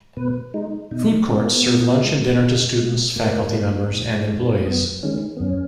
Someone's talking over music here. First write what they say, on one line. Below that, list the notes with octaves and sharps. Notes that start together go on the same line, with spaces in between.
Food courts serve lunch and dinner to students, faculty members, and employees.
B2 B4
G#3 D#4
B2 D#4
G#3 C#4
B3
A#3
B3
B2
G#3
B2
G#3
A#2 A#3
G#3
A#2
G#3
A#3
F#2 B3
D#3 G#3 C#4
B3
F#2 C#4